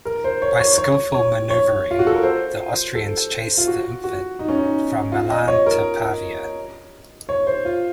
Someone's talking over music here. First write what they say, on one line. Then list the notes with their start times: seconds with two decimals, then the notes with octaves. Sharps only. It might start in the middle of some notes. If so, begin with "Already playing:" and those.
By skillful maneuvering, the Austrians chased The Infant from Milan to Pavia.
0.05 A#4
0.24 C5
0.42 C#5
0.60 C#5
0.78 C#5
1.14 C#5
1.50 C#5
1.91 F4
1.99 F#4
2.07 A4
2.15 A#4
2.23 C5
2.95 A4
3.58 F4
3.68 F#4
4.04 F#4
4.39 D#4
4.48 C#4
4.58 D#4
5.12 F4
5.30 D#5
5.48 C#5
5.66 A#4
7.29 C#5
7.47 C5
7.65 F4